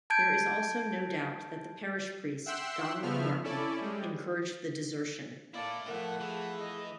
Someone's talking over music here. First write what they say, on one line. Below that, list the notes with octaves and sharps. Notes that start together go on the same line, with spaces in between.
There is also no doubt that the parish priest, Donald Martin, encouraged the desertion.
A5 G6 G#6 D7
E5 F#5 G5 C6 E6 F#6
C#3 F3 B3 E5 F6
C#4 E4 A4 D5
G3 G#3
A#3 E4 A4 D5 F5
F3 A3 A#4 F#5
E3 G#4
D#5